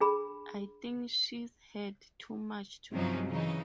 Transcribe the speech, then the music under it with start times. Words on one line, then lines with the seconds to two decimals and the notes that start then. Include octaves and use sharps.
I think she’s had too much to do.
0.01 D4 G#4 B5
2.92 G2 C3 F3 F#3 C#4 D#4
3.29 C#3 E3 D#4